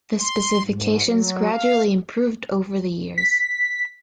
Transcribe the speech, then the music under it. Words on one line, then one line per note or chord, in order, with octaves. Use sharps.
The specification gradually improved over the years.
C6
G#2
F#3
F5
B6